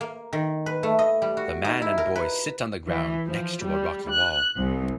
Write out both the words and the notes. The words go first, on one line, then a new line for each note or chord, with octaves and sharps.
The man and boy sit on the ground, next to a rocky wall.
A#3
D#3
B4
A3
D#5
G3
F#4
D#4
E4
A#4
B4
E3
F3
G3
F#6
C2